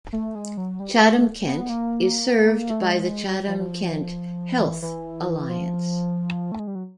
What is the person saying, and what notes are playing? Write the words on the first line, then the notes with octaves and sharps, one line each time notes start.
Chatham-Kent is served by the Chatham-Kent Health Alliance.
A3
G#3
F#3
G3
A3
B3
A#3
A3
G#3
G3
F3
F3
E3
E3
F3
A3
G#3
G3
F#3